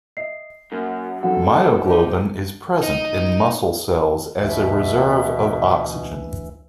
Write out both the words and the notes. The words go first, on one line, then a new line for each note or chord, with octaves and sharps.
Myoglobin is present in muscle cells as a reserve of oxygen.
D#5 E5 C7
F#2 A#3
D#3 F#3 C4 F#4 A4 F5 F#5
D#4 G4 C5
D#4
D2 B2 E3 E5